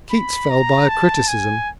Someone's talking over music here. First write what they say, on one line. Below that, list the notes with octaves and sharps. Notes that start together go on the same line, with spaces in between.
KEATS fell by a criticism.
B5
A#5
A5
G#5